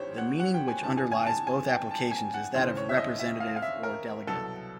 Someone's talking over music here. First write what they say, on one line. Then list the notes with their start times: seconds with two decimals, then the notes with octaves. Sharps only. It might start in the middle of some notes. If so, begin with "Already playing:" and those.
The meaning which underlies both applications is that of representative or delegate.
Already playing: G#1 G2 E3 G4 C5 C#5
0.18 F#5
0.40 F#5
0.54 G5
0.68 G#5
0.82 G1 G2 E3 A5
0.97 G#5
1.11 G#5
1.26 A5
1.47 G#5
1.68 G5
1.91 A5
2.11 G#5
2.34 F#5
2.54 D#2 C#3 E3 C5
2.77 C#5
2.89 E5
2.97 D#5
3.19 E5
3.40 F5
3.56 F5
3.62 E5
3.83 A#4
4.27 C2 B2 F#3 A4